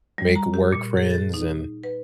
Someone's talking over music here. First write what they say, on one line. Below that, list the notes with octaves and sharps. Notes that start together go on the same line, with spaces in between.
make work friends, and
G3
A#5
G4
A#2
G#4
A6
D#4
B4